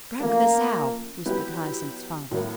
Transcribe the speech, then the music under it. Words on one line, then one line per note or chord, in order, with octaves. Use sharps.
"Drug the sow," whispered Hyacinth's father.
C#3 F3 A3 A#3
F#3 B3 E4 G4 B4
A2 F#3 A#3